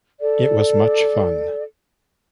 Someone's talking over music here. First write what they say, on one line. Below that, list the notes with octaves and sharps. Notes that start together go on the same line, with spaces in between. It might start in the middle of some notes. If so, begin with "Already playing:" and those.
It was much fun.
A4 D5